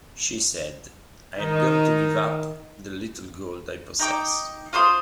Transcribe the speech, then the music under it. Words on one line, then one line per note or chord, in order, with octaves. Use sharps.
She said, 'I am going to give up the little gold I possess.
D#3 D#4
D#4 G5 D6
F4 C5 C6 D#6